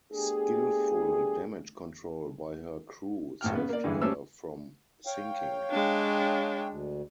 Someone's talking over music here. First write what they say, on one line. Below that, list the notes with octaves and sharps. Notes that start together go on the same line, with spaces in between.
Skillful damage control by her crew saved her from sinking.
A3 B3 D4 G4 G#4
G#1 A2 G5 F6
C#3 B3
A#3 D5
G2 D3 E3 G#3
G3 A3 C#4 G4 C5 E6
C#5 F5 G5
G#3 D4
D2